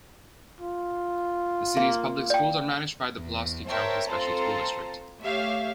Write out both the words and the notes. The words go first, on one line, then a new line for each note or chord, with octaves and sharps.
The city's public schools are managed by the Pulaski County Special School District.
F4
A#3
D5 G5
E2
A#4 C5 C#5 E5 G5 A5
C4 F4 A4 C5 A5 A#5
A3 G4 C#5 E5 F5